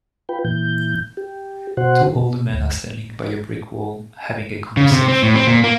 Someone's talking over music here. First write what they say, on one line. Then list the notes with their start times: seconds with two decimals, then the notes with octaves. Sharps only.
Two older men are standing by a brick wall having a conversation.
0.29 F4 B4 G5
0.45 A#2 E3 G6
1.17 G4
1.77 B2 F#4 C5 F#5
2.15 B2
2.54 D2
4.77 C#3
4.92 C3
5.08 C4
5.23 A2
5.35 C4
5.47 A#2
5.64 A#3